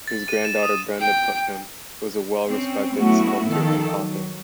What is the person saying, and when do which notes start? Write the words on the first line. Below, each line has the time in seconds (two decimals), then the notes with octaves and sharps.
His granddaughter Brenda Putnam was a well-respected sculptor and author.
0.08 A6
0.28 D#7
0.45 E7
0.63 D#6
1.00 G5
2.49 C4 C#4
2.95 F#3 A3 B3 C#4 E4 F#4
3.47 D#3 F3 A4
3.96 F#3